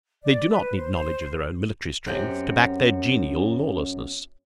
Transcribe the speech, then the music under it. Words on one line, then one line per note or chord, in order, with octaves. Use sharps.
They do not need knowledge of their own military strength to back their genial lawlessness.
D5
B4
C5
C5
C5
F#2 C4 C#4 G4 F#5